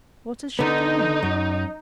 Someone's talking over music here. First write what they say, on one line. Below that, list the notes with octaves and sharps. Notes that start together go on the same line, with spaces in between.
"What is she doing?"
D3 B3 D#4
F#2